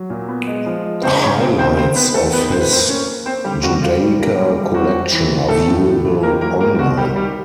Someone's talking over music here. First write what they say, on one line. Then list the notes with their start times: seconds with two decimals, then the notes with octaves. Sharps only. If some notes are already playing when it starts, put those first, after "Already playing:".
Highlights of his Judaica collection are viewable online.
Already playing: F#3
0.10 A#2
0.28 B3
0.47 G#3
0.66 F3
0.84 G#3
1.03 C#3 C4 C5
1.21 C#3 C#4 C#5
1.40 B3 C4 C5
1.58 C#3 C4 C5
1.77 D#3 C4 C5
1.96 B3 C4 B4
2.14 D#3 A3 A4
2.33 D#3 B3 B4
2.51 A2 C5
2.61 B4
2.71 A#3 C4 C5
2.89 A#3 C#4 C#5
3.07 A#3
3.26 C4 C5
3.44 D3 G3 G4
3.63 G3 F#4
3.82 D3 F4
4.00 G3
4.19 A#3
4.38 G3
4.56 G3
4.74 C4 F#4
4.93 C4
5.12 E3
5.30 E3
5.49 A2 A3 A4
5.67 A2
5.86 E3
6.04 E3
6.23 D#3 A#3 A#4
6.41 F#3 A#3 A#4
6.60 D#3 A#3 A#4
6.79 B3 F#4
6.97 D#3 G3 G4
7.15 D#3 G3 G4